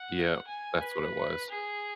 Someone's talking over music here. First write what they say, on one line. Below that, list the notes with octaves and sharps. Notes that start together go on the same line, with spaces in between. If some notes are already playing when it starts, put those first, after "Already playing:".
Yeah, that's what it was.
Already playing: F#5
G#5
B4
G#4